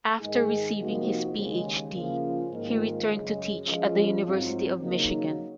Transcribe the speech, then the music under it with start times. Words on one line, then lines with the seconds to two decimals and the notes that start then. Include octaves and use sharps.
After receiving his PhD, he returned to teach at the University of Michigan.
0.20 G#2 D#3 G#3 D#4 G#4
0.77 C3 F3 A#3 D#4 F#4
1.35 D#2 C#3 G#3
1.92 C#3 F3 A#3 C#4 F4
2.50 G#2 D#3 A#3 F4 A#4
3.09 F#2 C#3 G#3
3.66 F3 G#3 C#4 F4
4.24 G#2 F#3 C4 F4
4.81 C#3 F#3 A#3 D#4